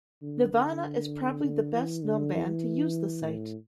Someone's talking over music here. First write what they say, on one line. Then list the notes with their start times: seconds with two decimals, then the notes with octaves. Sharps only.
Nirvana is probably the best known band to use the site.
0.22 D3
0.52 D3
1.43 D3
1.73 E3
2.03 D3
2.33 E3
3.24 A2